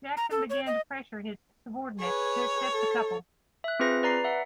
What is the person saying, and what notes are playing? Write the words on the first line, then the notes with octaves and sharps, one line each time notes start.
Jackson began to pressure his subordinates to accept the couple.
A#5
A4
C#5
D#5
G#4 B4 C#5
A4
E5 F#6
C4 F4 G#4 B4 A#6
B4 D5 A#5 C7
E5 F#5